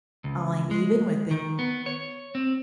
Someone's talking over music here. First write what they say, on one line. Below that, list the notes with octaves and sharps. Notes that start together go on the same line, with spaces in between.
I'm even with him.
C#2
G#3
D#3
B3
C#5
C4